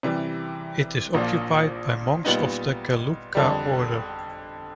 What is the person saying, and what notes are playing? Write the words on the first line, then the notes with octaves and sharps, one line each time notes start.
It is occupied by monks of the Gelukpa order.
C3 E3 G3
A#1 A#2 F3 A#3 D4
A#2 G3 B3 D#4
F2 D3 G3